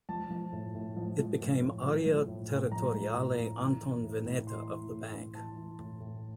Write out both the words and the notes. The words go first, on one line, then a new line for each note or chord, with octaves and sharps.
It became Area Territoriale Antonveneta of the bank.
F3 A5
F3
A2
A2
F3
F3
A2
A2
F3
F3
A2
A2
F3 A#5
F3
A2
A2
E3
E3
A2
A2
E3 C6
E3
A2
A2
E3 A5
E3
A2
A2